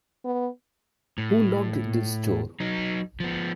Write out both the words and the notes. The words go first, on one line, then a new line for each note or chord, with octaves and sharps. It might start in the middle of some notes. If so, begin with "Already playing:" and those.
Who locked this door?
B3
A2
F#3 D#4
F3 B3